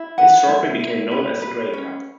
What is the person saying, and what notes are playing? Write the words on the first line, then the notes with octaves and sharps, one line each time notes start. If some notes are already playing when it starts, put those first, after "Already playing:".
This trophy became known as the Grey Cup.
Already playing: E4
B4 F#5
E4 E5
E4
B4
B4
C#4